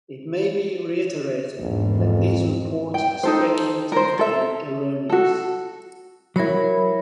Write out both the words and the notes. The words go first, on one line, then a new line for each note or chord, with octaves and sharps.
It may be reiterated that these reports are speculative and erroneous.
A#1 E2 G#2
F2
G5
D#4 A4 C5
A#4 C5
A4 E5
F#4 A4
F#3 E4 A#4 C#5 B5